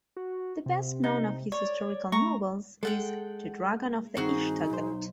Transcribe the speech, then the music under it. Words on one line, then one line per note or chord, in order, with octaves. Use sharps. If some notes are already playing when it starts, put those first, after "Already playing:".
The best known of his historical novels is "The Dragon of the Ishtar Gate".
F#4
C3
D#4
C#5 D5
A3 A#5 C#6
G#3 A4 F#5 G5
G2 D#3 C4 D#4 F#4 G#4
B1 C5